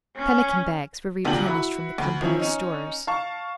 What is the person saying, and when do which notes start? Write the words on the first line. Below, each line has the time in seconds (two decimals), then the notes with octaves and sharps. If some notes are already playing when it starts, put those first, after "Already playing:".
Pemmican-bags were replenished from the company's stores.
0.16 C#4
1.25 F1 D2 A#2 D4 G5 F#7
1.46 E4 F#4 B5
1.98 D2 B5
2.21 D#3 F3 C#4 E4
2.39 C#4 D#4
3.07 F5 A5 C#6